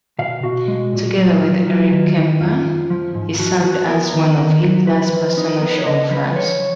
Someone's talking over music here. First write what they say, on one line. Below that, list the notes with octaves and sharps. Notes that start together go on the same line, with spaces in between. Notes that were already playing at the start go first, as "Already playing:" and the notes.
Together with Erich Kempka, he served as one of Hitler's personal chauffeurs.
B2 F5
B2 F#4
G#3
A#2
F#3
F#3 F4
F#3
D#3
D#3
F2 F4
F2
F3
G#2
F3 F#4
F3 F#4
B3 A#4
D#3
D#3
F#3
F3 B4
F3
D#4
B3 A#4
B4
C#5
C#3 D#5
F3 B4
F3 C#5